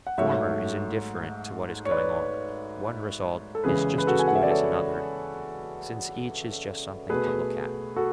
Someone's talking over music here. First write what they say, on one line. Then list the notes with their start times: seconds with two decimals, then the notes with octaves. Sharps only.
The former is indifferent to what is going on; one result is just as good as another, since each is just something to look at.
0.07 F#5
0.18 G#2 F#3 A3 C#5 E5
1.86 C#5
1.91 B4 D5
3.55 A4
3.64 E2 C#3 E3 G#3 G#4 B4
3.98 B4
4.07 F#4 A4
4.19 G#5
4.28 F#5
4.35 E5
4.43 D5
4.51 A4 C#5
7.09 B2 A3 G#4 B4
7.96 F#4 A4